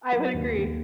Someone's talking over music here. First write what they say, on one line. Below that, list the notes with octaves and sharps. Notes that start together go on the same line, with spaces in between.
I would agree.
F#3
D#2
D#2